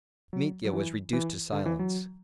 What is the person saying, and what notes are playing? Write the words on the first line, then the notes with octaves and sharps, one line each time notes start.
Mitya was reduced to silence.
F#3
F#3
E3
E3
D3
E3
F#3